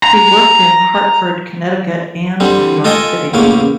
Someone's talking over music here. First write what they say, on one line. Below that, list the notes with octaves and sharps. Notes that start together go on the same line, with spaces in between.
He worked in Hartford, Connecticut, and New York City.
A#5
D3 G3 C4
F4 A4 D#5 G5 G#5 D#6
A1 E2 C#3 A#3 D6